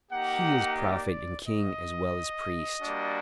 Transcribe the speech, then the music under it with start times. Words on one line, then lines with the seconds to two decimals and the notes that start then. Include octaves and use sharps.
He is Prophet and King as well as Priest.
0.11 A#3 D#4 G4 F#5
0.79 D5
1.46 D#5
2.82 G3 A#3 D4 F#4